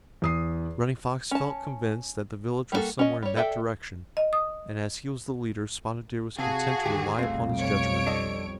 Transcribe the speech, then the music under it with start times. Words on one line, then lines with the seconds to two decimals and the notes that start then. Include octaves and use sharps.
Running Fox felt convinced that the village was somewhere in that direction, and as he was the leader Spotted Deer was content to rely upon his judgment.
0.22 E2 D#6 C7
1.31 C#4 A5
2.72 G3 A#3 C#4 F#4 A4
2.99 C#4 D#5
3.23 G3 C#5
3.37 A4 D5 E5 G5
4.17 D#5
4.33 D#6
6.39 C3 F#4 G#4 F5 A5
6.86 D#2 D3 G4
7.19 B1 F2 G3 A3 C4 F5
7.60 C#5 D7
8.06 D4 A4 D#5